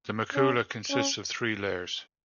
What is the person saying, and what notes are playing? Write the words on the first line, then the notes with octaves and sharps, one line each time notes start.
The macula consists of three layers.
C#4
C#4